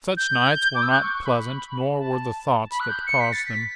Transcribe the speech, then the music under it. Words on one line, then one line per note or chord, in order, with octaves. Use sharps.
Such nights were not pleasant, nor were the thoughts that caused them.
G6
D6
E6
F#6
C#6
C#6
B5
A5
B5
F#6
G6
C#7
B6
A6
B6